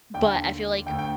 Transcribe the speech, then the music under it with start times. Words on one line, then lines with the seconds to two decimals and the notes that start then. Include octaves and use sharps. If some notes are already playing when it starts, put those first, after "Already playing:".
But I feel like
0.14 D#2 D3 G5
0.86 D2 D3 G5
0.99 G5